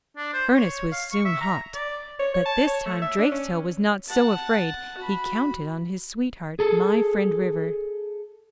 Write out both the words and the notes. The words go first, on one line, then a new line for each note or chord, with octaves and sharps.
The furnace was soon hot, but this time Drakestail was not so afraid; he counted on his sweetheart, my friend River.
D4
C5
C#5
F5
C#6
E5
A#5
D5
C#5
C#5
A5
C#5
A3
E5
D4
C#4
F#5 A5
F#4 B5
G#4 A4